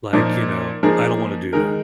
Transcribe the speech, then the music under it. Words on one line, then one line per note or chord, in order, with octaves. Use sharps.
like, you know, I don't wanna do that
A#2 F3 A#3 D#4
F3 A#3 D#4 G#4
D#3 G#3 D#4 A#4